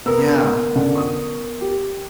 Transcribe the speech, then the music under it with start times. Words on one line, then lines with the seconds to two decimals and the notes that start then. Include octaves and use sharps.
Yeah, it's
0.06 B3 A#4 E6
0.76 D3 C#4 A4
0.95 C#6 D#6
1.61 G4